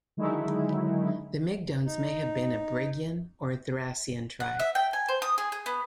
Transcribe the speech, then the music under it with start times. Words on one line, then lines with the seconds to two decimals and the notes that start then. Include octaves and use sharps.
The Mygdones may have been a Brigian or Thracian tribe.
0.17 D3 D#3 F#3 G#3 D#4 E4
1.86 D#4
4.40 F#5
4.60 E5
4.75 G5
4.93 G#5
5.08 C5
5.22 D#6
5.38 G#4
5.52 G#4
5.66 B3